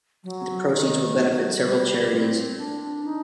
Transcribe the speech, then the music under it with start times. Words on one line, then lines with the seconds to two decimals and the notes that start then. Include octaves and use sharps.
The proceeds will benefit several charities.
0.24 F#3
0.71 D#3
1.18 F#3
1.64 G3
2.12 C4
2.58 D4
3.05 D#4